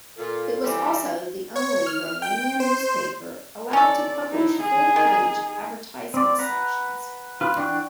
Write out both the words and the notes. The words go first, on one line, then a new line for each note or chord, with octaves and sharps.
It was also the only Romanian newspaper allowed to publish full-page advertisement sections.
A#2 F4 A4
E3 G3
C#5
F6
G5
C5
C#4 A4 D5
D#4 E4
G#4
D#3
C4 D5
B4 F#5 A#5
F4 B4
E3 D4 F#5 G5 C#6